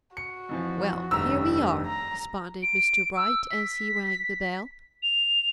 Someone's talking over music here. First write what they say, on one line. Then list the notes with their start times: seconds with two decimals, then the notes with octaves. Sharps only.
"Well, here we are," responded Mr. Bright, as he rang the bell.
0.17 F#4 C#7
0.49 F2 E3 F3
1.11 F1 G2 D#3 A#5 E6
1.86 A#5
2.62 D7
3.16 E6
3.51 B6
5.02 F7